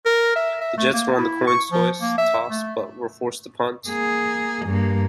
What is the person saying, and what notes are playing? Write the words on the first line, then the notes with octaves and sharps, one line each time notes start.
The Jets won the coin toss, but were forced to punt.
A#4
E5
E5
A3
A#3
E4
C#6
F3
A#3
E5
A3
A#3 G#4
G2 A#3